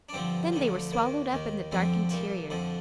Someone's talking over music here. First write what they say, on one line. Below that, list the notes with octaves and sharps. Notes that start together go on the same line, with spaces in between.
Then they were swallowed up in the dark interior.
D4
G2 D3 F3 C4
D2 D3 F3
D#2 D#3 A#3
D#2 D#3
F2 D3 F3 C4
C2 A#2 F3
F2 D3 F3